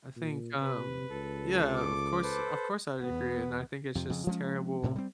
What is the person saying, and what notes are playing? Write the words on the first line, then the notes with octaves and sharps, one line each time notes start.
I think, um yeah, of course of course I'd agree, and I think it's just terrible
A#2
C3 B4
C#2 A4
D6
A4 B4 C5
E2 B3
F2 C3
F2 C#3
F3 G#3 C#4
D2 A2 C3
G3 C4